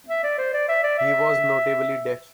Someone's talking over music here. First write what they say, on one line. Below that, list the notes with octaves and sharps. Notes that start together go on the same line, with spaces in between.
He was notably deaf.
E5
D5
C5
D5
E5
D5
E5